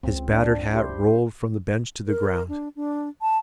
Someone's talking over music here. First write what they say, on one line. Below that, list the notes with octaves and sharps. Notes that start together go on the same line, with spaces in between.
His battered hat rolled from the bench to the ground.
C#2 C4
D4
E4 G4 C5
A#4
D4
D4
A5